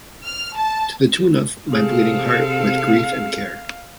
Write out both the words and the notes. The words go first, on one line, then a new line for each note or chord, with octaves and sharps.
To the tune of, My bleeding heart with griefe and care.
F6
A5
C3 C4 G#4 A4 F5